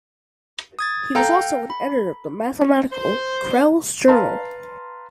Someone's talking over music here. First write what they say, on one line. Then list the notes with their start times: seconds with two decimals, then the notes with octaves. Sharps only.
He was also an editor of the mathematical "Crelle's Journal".
0.79 D#6 G#6 A6
1.15 A4 F5 G5 A#5 G6
1.70 B5
2.92 C5
4.08 B4 F5 A5 A#5 C6